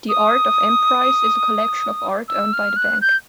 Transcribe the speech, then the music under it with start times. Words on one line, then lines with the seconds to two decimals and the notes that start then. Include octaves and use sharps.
The Art of Emprise is a collection of art owned by the bank.
0.09 D#6
2.29 E6
2.53 F6
2.76 F#6
3.01 G6